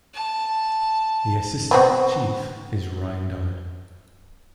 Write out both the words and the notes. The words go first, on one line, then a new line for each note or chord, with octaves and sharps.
The Assistant Chief is Ryan Dodd.
A5
B3 C4 F#4